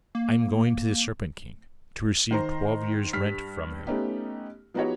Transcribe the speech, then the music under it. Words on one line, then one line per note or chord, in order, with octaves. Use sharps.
'I am going to the Serpent King to receive twelve years' rent from him.'
A#3
D#3 C5 A#5
G2 G3 F6 B6
A3 B3 C#4 D#4 G4
F3 B3 D#4 F#4 G4 C#5